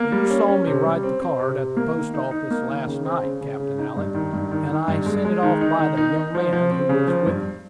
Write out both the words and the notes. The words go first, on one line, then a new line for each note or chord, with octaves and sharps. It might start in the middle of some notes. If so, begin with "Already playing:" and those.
"You saw me write the card at the post-office last night, Captain Alick: and I sent it off by the young man who was with you."
Already playing: A#3
G3
C#4
C#4
C3
G3
C4
C4
C3
C3
A#3
D#3
D#4
D#4
A#3
D#3
C#3
C4
C#3
C#3
C#3
D#4
G2
D#3
G2
D#3
D#3
G2
G#3
G#3
D#3
D#4
D#3
D#4
D#4
F3
F3
C4
C#3
F3
G2